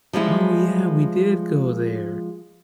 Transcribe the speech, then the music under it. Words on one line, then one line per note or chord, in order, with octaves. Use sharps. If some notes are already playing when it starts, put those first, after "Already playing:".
"Oh yeah, we did go there."
F3 G3 G#3 E4